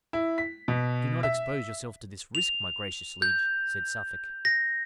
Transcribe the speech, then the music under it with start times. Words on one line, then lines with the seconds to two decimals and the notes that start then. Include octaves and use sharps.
"Do not expose yourself to this risk, my gracious liege," said Suffolk.
0.13 E4
0.38 B6
0.68 B2
1.23 E5
2.35 F7
3.22 G6
4.45 A#6